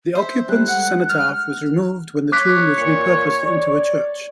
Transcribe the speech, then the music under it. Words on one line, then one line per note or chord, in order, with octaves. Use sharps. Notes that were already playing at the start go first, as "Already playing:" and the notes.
The occupant's cenotaph was removed when the tomb was repurposed into a church.
C5 E5
G3 G#3 A4 F#6
F#5
F6
C#5 D6 F#6 B6
A#2 C#7
D5